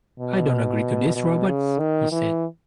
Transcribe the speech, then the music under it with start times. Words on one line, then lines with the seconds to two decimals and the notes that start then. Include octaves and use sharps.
"I don't agree to this, Roberts," he said.
0.20 B2
1.15 B2
1.47 C#3
1.79 D#3
2.12 E3